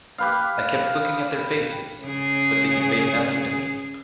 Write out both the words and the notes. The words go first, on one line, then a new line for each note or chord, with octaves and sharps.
I kept looking at their faces, but they conveyed nothing to me.
G4 B4 F5
C#3 G#4